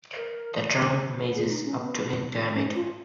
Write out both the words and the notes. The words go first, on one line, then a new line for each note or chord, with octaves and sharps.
The trunk measures up to in diameter.
A#4
G#4
F4
D#4
C#4
B3
C#4
F4